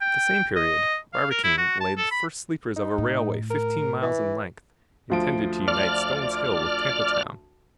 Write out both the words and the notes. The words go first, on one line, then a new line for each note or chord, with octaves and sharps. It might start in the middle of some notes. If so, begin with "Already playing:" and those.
At the same period Barbicane laid the first sleepers of a railway fifteen miles in length, intended to unite Stones Hill with Tampa Town.
G5
D#5
F5
A#4
E4
F#4
A5
A4
B5
D#4
A2
A#4
E3
D2 F3 D7
D5 F6